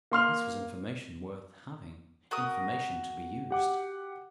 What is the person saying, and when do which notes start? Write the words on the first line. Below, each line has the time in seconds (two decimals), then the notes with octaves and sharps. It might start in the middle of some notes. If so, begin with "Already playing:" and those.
This was information worth having--information to be used!
0.11 A#3 C6 F6 F7
2.31 F#4 A#4 D#6
3.50 G4 F#5 D6